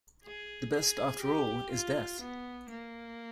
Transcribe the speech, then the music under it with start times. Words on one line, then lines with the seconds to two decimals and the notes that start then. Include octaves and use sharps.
The best, after all, is death.
0.24 G#4
0.74 G#4
1.22 G4
1.72 F4
2.21 B3
2.70 A#3